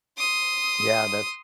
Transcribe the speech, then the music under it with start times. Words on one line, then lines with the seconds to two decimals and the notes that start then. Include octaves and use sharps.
Yeah. That's
0.18 C6 D#6